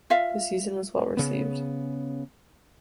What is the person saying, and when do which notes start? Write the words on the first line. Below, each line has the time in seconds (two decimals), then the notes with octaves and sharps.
The season was well received.
0.10 F4 E5 F5
1.17 C#3 B3